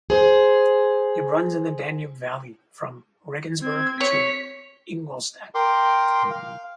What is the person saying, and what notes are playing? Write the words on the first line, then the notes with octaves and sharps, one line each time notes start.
It runs in the Danube valley from Regensburg to Ingolstadt.
G#4 C5
C4 G#6
C#5 B6
A#4 G5 C6 D6
F5